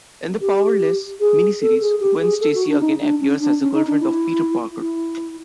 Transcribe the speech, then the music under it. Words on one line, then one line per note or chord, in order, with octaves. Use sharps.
In the "Powerless" mini-series, Gwen Stacy again appears as the girlfriend of Peter Parker.
G4
G#4
A4
G#4
G4
G#4
A4
F#4
D4
D#4
D4
C#4
D4
C#4
D#4
D4
E4
E4